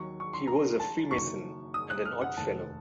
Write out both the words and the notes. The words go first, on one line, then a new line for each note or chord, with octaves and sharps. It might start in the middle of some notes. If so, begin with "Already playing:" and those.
He was a Freemason and an Oddfellow.
Already playing: D#2 D#3 F#3 C#6
C#6
C6
A#5
A5
F#1 F#2 D#3 F#3 C#6
D#6
F#6
F6
F#5
F1 D#2 D#3 A5